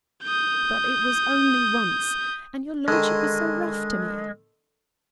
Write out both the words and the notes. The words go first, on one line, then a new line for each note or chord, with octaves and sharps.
But it was only once; and your Lordship was so rough to me!
D#6 G6
D3 D#3 G#3